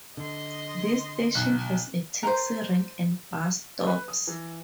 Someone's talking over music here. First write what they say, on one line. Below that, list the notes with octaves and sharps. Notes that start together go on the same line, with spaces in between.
This station has a taxi rank and bus stops.
D3 D#5 C6
B1 F#6
A#4 C5
B4
D#6
E3